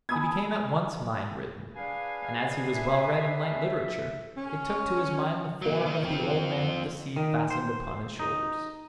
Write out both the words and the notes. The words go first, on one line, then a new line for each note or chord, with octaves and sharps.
He became at once mine-ridden, and as he was well read in light literature it took to his mind the form of the Old Man of the Sea fastened upon his shoulders.
G#5 A5 B5 D#6 E6 G#6
D4 G#4 B4 F5 G#5 C7
E5
C#4
F#3 A#3
D#3
F3 C4
D#3
C5
D#4